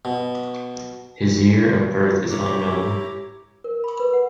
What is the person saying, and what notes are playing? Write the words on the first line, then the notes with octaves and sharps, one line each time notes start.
His year of birth is unknown.
B2
E4 G4 C#5 A#5 D6
A#4
B5
B4
F#5